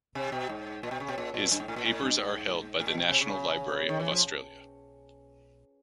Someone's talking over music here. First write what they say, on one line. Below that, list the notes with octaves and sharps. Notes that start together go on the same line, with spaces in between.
His papers are held by the National Library of Australia.
C3
B2
G#2
A#2
B2
C#3
B2
A#2
A#2
G2
G#2
A2
A#2
A2
G2
G#2
A2
A#2
B2
C3
C#3
D#3
E3
F3